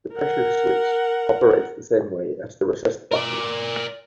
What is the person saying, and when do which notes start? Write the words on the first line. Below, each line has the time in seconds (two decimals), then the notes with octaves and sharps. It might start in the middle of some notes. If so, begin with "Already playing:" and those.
This pressure switch operates the same way as the recessed button.
0.14 A#4 F#5
3.12 A#4 D5